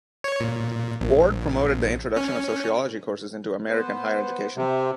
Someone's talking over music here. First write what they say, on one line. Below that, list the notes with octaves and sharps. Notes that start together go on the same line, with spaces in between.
Ward promoted the introduction of sociology courses into American higher education.
C#5
A#2
A#1
C#4
B3 B4 C5
C3 C5 E5